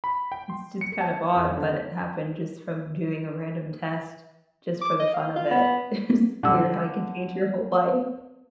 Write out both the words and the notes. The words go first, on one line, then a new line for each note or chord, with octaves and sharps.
it's just kind of odd, but it happened just from doing a random test just for the fun of it. It's weird how you can change your whole life.
B5
G5
C6
C#7
A5
F2
D3
D6
D#5
F5
F4
B3
D3 E6